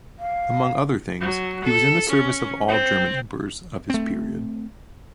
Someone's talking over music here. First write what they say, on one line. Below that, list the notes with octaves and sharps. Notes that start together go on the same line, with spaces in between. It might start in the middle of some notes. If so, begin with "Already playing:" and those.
Among other things he was in the service of all German emperors of his period.
F5
F#3
A4
C#4
C4
A3 C4